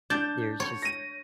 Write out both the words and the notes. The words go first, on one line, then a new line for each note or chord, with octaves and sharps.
There's just
D4 G6 A6
C#5
A#6 D#7